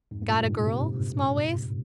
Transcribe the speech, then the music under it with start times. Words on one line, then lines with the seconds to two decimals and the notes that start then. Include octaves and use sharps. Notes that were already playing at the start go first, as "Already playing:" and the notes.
"Got a girl, Smallways?"
0.11 F2 G#2
0.29 G2 A#2
0.48 G#2 C3
0.66 G#2 C3